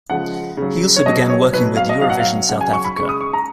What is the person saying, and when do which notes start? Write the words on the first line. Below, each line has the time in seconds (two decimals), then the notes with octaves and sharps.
He also began working with Eurovision South Africa.
0.10 C#3 F3 G#3 F#5
0.57 C#3 F#3
0.96 C#5
1.06 B2 F#3 D#5
1.30 C#5
1.53 B2 F#3 B4
1.77 F5
1.89 D#5
2.01 B2 F#3 F5
2.10 F#5
2.20 F5
2.49 C#3 F#3 F#5
2.61 G#5
2.73 C#6
2.84 B5
2.97 C#3 G#3 C#6
3.09 D#6
3.21 C#6
3.33 A#5